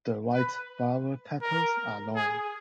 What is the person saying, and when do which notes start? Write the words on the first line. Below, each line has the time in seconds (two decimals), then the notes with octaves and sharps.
The white flower petals are long.
0.34 B4
1.42 A#4
2.16 G#4